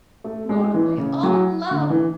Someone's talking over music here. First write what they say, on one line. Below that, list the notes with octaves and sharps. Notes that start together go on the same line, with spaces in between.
Mona, my own love.
A3
G#3
E3
C#3
F#3
D3
E3